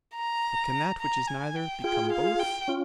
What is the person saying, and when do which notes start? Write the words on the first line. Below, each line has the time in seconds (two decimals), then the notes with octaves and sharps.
But can that which is neither become both?
0.16 A#5
1.00 A#5
1.27 G#5
1.55 G5
1.84 F4 G#4 G5
2.12 F5
2.40 G5
2.68 C#4 F4